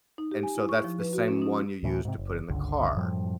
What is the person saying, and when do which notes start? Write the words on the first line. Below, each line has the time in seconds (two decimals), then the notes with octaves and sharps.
And so, that's the same one you use to put in the car.
0.18 D#4
0.31 G4
0.43 G#5
0.55 E4
0.69 C#6
0.84 F3
1.00 B4
1.13 F#4
1.28 C#4
1.42 D#4
1.83 D2 A2 E3
2.05 G#2 C3
2.18 F#1
2.49 G1 C#2 D3
2.97 F#2 A2 F3 G3